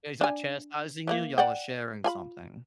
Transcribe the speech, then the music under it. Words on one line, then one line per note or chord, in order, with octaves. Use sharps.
Yeah, he's not chastising you, y'all are sharing something.
D4 G#5
E3 G3 A#3
D5 F#5 G5
F4 G#5 B5